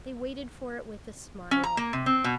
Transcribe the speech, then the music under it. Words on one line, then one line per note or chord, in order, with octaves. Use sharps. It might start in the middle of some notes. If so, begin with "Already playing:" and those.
They waited for it with a smile.
C#4
A#5
A#3
C3
C4
B2